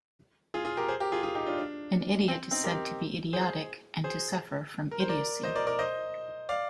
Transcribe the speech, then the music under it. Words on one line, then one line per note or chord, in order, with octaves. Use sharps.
An idiot is said to be idiotic, and to suffer from idiocy.
F4 G#4
F4 G#4
G4 A#4
G#4 C5
G4 A#4
F4 G#4
F4 G#4
D#4 G4
D4 F4
D4
C4
C4 D#4
G4 A#4
G#4 C5
G#4 C5
A#4
C5
A#4 D5
C5 D#5
A#4 D5
A#4 D5
C5 D#5
D5 F5